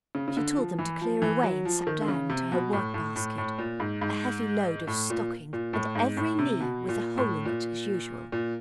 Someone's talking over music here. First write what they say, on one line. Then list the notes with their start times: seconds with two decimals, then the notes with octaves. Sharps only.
She told them to clear away, and sat down to her work-basket: a heavy load of stockings and every knee with a hole in it as usual.
0.15 C#3
0.28 C#3
0.37 D3
0.57 F3
0.79 E3
1.01 F3
1.22 E3
1.43 F#3
1.65 F3
1.87 D#3
2.01 D3
2.08 C#3
2.30 C3
2.52 B2
2.73 A2
2.94 A2
3.16 A2
3.38 A2
3.59 A#2
3.80 G#2
4.01 G#2
4.87 A2
5.10 A#2
5.53 A#2
5.73 A2
5.95 G#2
6.17 A2
6.39 C3
6.60 B2
6.89 A#2
7.18 A2
7.45 A#2
8.32 A#2